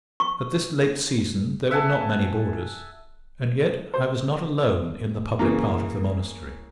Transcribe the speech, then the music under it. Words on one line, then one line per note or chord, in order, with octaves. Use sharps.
At this late season there were not many boarders; and yet I was not alone in the public part of the monastery.
C#6
E5 F#5 G#5 A5
C5
C#3 E3 A#3